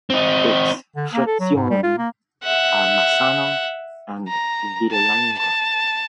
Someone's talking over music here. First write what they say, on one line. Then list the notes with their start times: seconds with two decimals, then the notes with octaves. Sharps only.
Its "frazioni" are Masano and Vidalengo.
0.10 C4 D#4
0.96 D3
1.13 A#3
1.26 A4
1.40 F#3
1.55 G#2
1.70 G3
1.83 F4
1.98 A#3
2.43 E5 F#5
4.28 A#5
4.92 A5
5.38 A5